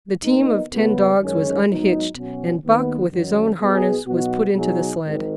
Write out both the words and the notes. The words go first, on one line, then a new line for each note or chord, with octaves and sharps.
The team of ten dogs was unhitched, and Buck, with his own harness, was put into the sled.
D#2 D#3 B3 D#4
C#2 C#3 B3
F#2 D#3 G#3 C#4
G#2 F#3 B3 D#4
B2 F#3 C#4 F#4
D#2 D#3 B3
F#2 D#3 F#3
B1 B2 B3 G#4
B2 F#3 B3 D#4 F#4
B2 F#3 D#4 G#4
G#1 G#2 D#3